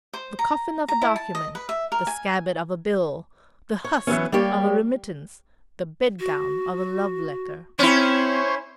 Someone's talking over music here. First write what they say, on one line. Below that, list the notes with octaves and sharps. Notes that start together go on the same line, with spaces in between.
The coffin of a document; the scabbard of a bill; the husk of a remittance; the bed-gown of a love-letter.
C5
A#5
A#5
E4
A5
D#5
B4
E5
A#4
G#5
C#5
E3 F#3 B3 C#4
G3 A#3 G4 C#5 D5
F#4
C4 C#4 E4 C5 C#5